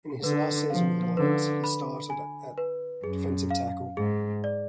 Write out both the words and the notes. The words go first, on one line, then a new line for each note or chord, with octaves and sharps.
In his last season with the Lions, he started at defensive tackle.
D3 B4
F3 F5
D3 B4
B5
G#5
B4
F#2 G#4
F5
G#2 G#4
D5